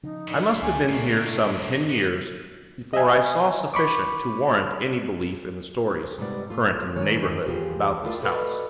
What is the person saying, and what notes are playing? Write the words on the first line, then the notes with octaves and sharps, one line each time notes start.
I must have been here some ten years before I saw sufficient to warrant any belief in the stories, current in the neighborhood, about this house.
C#3 F3 D#4
A2 D3 D#3 D4
C#2 G#5
F2 G#2 A3 A#3
A#3 B3
D#5 E5 G#5
B5 C#6 D6
G#2 C3 G3 B3 D5 F#5
A3 F4
G2 D#3 G#3 A#3 C#5
E2 F4 G4 G#4
A3 E4 F4 A#4 D5
F#4 A4 B4 C5 D5 D#5